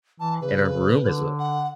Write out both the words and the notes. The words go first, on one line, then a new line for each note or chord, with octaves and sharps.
and her room is a
E3 A5
C#3 B4
D3
F#5